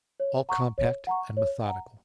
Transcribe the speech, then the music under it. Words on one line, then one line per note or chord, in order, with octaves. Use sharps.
All compact and methodical.
C#5
F#5 A#5 C#6
C#5
F#5 A#5 C#6
C#5
F#5 A#5